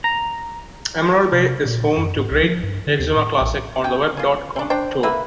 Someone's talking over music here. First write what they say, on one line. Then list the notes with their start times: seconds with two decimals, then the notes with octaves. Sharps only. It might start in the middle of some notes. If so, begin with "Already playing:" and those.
Emerald Bay is home to Great Exuma Classic on the Web dot com Tour.
0.04 A#5
1.33 C3
1.65 A#2
1.98 F#2
2.16 G#2
2.31 C2
2.43 F3
2.63 G2
2.87 D3
3.00 D#2
3.16 A2
3.41 A#1
3.84 C#4 G5
4.17 C#4 F4
4.56 C4 D4
4.70 D4 C5 G5
5.03 A#3 B4 E5